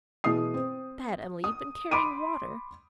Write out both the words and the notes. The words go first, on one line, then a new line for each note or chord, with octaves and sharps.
Bad Emily, you've been carrying water.
B2 E3 G#4 D#6 C7
C4
D#6
B5 C6 D6 D7 D#7